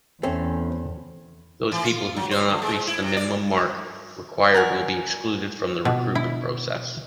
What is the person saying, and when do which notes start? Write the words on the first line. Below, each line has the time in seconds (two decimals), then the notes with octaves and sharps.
Those people who do not reach the minimum mark required will be excluded from the recruitment process.
0.23 E2 A3 C4 C#4
1.72 E3
1.85 F4
2.16 F#3
2.31 C5
2.50 D3
2.62 G#3
2.87 E4
3.02 C3
3.17 D5
4.54 A#4 F#5 G#5
5.85 B2
6.15 E4